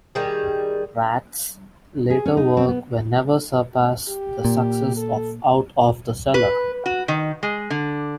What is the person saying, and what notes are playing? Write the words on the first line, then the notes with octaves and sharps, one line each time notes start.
Ratt's later work would never surpass the success of "Out of the Cellar".
D#3 G3 G#4
G#4
C#4
D#4
C4
B3
G4
A#2
A4
B4
F#4
D#3
G#3
D3